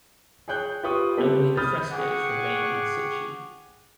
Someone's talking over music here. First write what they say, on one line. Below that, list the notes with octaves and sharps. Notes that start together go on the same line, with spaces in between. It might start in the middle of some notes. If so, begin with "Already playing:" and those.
Only the frescos remained in situ.
G#4 C#5 G5 F#6 G6
F4 G4 B4 G5 C#6 D#6
G3 B3 C4 G4 A4 B4
B5 D#6 F6 G6 A6
G#4 F#5 G5 C#6 D6